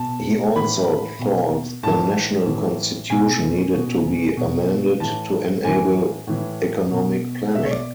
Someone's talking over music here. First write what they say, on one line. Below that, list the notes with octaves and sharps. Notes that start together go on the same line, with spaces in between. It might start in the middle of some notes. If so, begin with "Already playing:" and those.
He also thought the national constitution needed to be amended to enable economic planning.
Already playing: B2 A5
A2 E3 B5
B2
A2 E3 A5
A2 E3
B2 G#5
B2
B2
A2 E3 A5
A2 E3 G#5
A2 E3
B2
B2 E5
C#5
D5